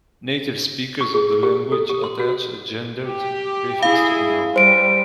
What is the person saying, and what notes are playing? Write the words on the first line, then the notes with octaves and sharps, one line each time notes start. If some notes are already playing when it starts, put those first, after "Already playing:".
Native speakers of the language attach a gendered prefix to a noun.
C#6
G#4
G4
A4
G4
C6
F#4
G4
E4 G#4 F5
G3 C5 D7